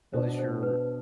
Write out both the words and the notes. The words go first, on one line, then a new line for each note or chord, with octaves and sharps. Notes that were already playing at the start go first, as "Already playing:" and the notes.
At least you're
B2 B3 D4 C5
C5
B4